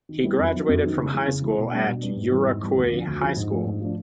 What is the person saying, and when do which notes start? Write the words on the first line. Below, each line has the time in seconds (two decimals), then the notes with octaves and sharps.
He graduated from high school at Yuraikuei High School.
0.09 D#3
0.23 G3 B3 E4
0.38 F#2
0.53 D#3 F#3 B3 D#4
0.69 F#2
0.83 D#3 F#3 B3 D#4
0.97 C#3
1.12 E3 G#3
1.27 C#3
1.42 E3 G#3
1.58 B2
1.72 G3 B3 D4
1.87 B2
2.01 G3 B3 D4
2.16 G#2
2.31 E3 G3 B3
2.46 G#2
2.61 E3 G3 B3
2.76 D2
2.92 D3 F3
3.07 D2
3.21 D3 F3
3.36 G#2
3.51 F3 A3 D4
3.65 G#2
3.81 F3 A3 D4